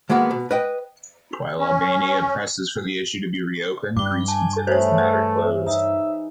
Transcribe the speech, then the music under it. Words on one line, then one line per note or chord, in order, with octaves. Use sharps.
While Albania presses for the issue to be re-opened, Greece considers the matter closed.
D#3 G#3 A#3 B3 F#4
B2
B4 D#5 G5
C#4
G2 G3 D6 G7
G#5 A5
E3 A3 G#4 C5 C#5
E5
D#4 E5